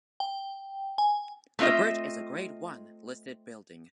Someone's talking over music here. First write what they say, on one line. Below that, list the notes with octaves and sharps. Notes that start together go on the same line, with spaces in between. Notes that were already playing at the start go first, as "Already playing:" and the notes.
The bridge is a grade one listed building.
G5
G#5
A3 C4 F4 D#5 E5